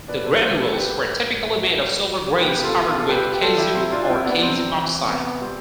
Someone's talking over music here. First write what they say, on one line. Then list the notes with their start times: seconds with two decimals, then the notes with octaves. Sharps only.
The granules were typically made of silver grains covered with caesium or caesium oxide.
0.08 B2 B4 D5
0.25 A4 C5
0.41 G3 C5
0.51 B4
0.63 A4
0.72 G3 G4 B4
1.09 A2
1.42 A2
1.74 G3
2.08 G3
2.41 B2 G4 B4
2.59 B4
2.63 F4 A4
2.75 B2
2.85 F4 A4
3.00 A4
3.08 G3 G4 B4
3.34 G4
3.41 G3 F4 A4
3.58 E4 G4
3.74 C3 C4 E4
3.92 D4 F4
4.02 D4
4.08 G3 C4 E4
4.25 B3 D4
4.42 C3 C4
4.74 E3
5.08 C3 B3
5.41 G3 C4